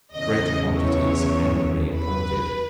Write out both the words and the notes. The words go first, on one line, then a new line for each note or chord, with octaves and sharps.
Great quantities are annually imported.
E2 C#3 E3 D#5
C#5
B4